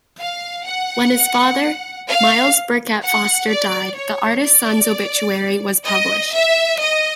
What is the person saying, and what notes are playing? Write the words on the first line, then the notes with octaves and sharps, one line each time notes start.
When his father, Myles Birket Foster died, the artist son's obituary was published.
F5
F#5
F5
F#5
D5
C#5
D5
D#5
E5
D#5